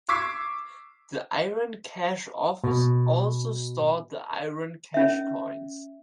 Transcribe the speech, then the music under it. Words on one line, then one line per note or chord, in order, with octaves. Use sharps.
The iron cash office also stored the iron cash coins.
C#6 D6 E6 G#6 B6 C7
B2
C#4 E5